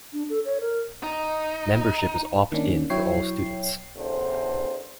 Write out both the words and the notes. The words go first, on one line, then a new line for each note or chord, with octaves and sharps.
Membership is opt-in for all students.
D4
A4
C#5
A#4
D#4
D#3 A#3 C#4 D4
F#3 E4 C#5 G5 C7
A1 E2 D3 C5